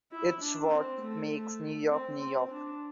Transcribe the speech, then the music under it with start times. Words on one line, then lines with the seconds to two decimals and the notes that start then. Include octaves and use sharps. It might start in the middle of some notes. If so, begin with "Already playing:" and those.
It's what makes New York New York.
0.11 E4
0.41 D4
0.72 C4
1.01 A3
1.31 A3
1.91 C4
2.21 C4
2.51 D4